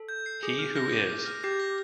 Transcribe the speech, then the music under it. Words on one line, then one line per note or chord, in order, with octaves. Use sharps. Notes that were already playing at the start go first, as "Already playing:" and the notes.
"He Who Is".
Already playing: A4
G6
C7
G#4 D6
F6
A#6
D6
D6
F6
G4 G6
A#6